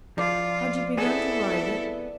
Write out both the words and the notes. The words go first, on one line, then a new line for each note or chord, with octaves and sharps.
Had you begun to write it?
F3 F4 D5
B3 C4 E4 G#4 A4